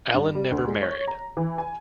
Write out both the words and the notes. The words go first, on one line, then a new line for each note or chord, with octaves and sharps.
Allen never married.
G2
G3
D2
G#3
C#5
A#5
E3
G#5